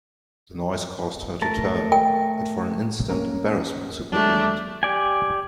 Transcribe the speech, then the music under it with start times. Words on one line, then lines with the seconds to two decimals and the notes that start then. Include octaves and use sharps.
The noise caused her to turn, and for an instant embarrassment supervened.
1.42 A3 A#4 A5
1.92 G5
3.10 A#3 C#4 A#4
4.12 F#3 G#3 A3 D4
4.83 G4 D5 G#5